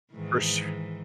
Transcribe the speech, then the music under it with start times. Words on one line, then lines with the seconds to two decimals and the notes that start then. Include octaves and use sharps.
For su
0.13 G#2 D#3 E3